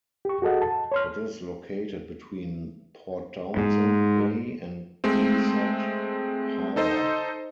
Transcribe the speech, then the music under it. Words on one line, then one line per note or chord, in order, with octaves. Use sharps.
It is located between Port Townsend Bay and Kilisut Harbor.
G4 C#6
F#4 G#4 A4 D#5 F#5
A5
C#5 C6 F6
G#2
G#3 A3 C4
D#4 A4 C5 D#5